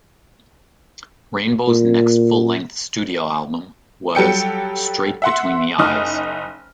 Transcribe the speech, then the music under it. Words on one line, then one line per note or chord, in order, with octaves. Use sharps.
Rainbow's next full-length studio album was "Straight Between the Eyes".
A#2
F#3 G3 A4 G5 C#7
E5 F#5 C6
F#1 D#4 D#6 F6